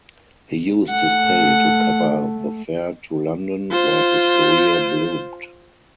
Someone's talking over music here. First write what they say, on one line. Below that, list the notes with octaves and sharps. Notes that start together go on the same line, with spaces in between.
He used his pay to cover the fare to London where his career bloomed.
A3 F#5
F4 C5